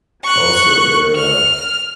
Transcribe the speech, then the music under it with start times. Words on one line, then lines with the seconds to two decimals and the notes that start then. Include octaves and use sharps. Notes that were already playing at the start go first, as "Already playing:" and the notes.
Also, they're, uh
0.23 C#6 F#6
1.15 F6